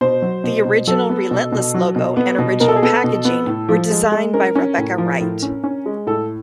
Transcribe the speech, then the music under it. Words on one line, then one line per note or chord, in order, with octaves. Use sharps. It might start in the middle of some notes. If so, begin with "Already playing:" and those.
The original Relentless logo and original packaging were designed by Rebecca Wright.
B2 C5
F#3
B2
B2
F#3 A4
B3
B2
B2
F#3
B2
B3
B2
B2 A#4
A4
G#4
B3 A4
B2
B3
A2
F3
G#3
G#3
C#4 A#4
C#4
A2
F3
A2
C#4
C#4
G#3
A2 A4